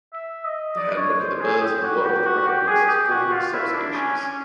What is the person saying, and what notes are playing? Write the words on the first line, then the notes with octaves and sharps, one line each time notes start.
The Handbook of the Birds of the World recognises four subspecies.
E5
D#5
D5
C#5
C5
G#4
G4
F#4
G4
F#4
G4
G#4
G4
F#4
F4
E4
D4
C#4
C#4